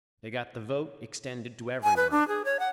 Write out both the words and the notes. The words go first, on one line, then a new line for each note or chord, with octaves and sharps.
They got the vote extended to everyone.
G#5
B4
D4
G#4
C#5
F#5